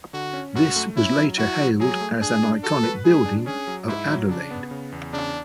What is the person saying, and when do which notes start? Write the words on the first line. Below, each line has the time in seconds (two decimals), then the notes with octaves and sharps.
This was later hailed as an "iconic building" of Adelaide.
0.13 D3 F#4
0.33 C#4
0.55 F#2 F#4
0.76 A3
0.96 C#4 E4
1.18 F#3
1.38 E4 F#4
1.59 F#3
1.80 F#3 G#4
2.01 A3
2.21 D4 G#4
2.43 D4
2.63 F#4 A4
2.83 B4
3.05 G#3 G#4
3.26 D4
3.46 C#4 G#4
3.67 F#3
3.88 G#2 E4
4.09 F#3
4.29 C#3 D4
4.51 B3
4.71 C#3
4.92 E2
5.13 C#3 D4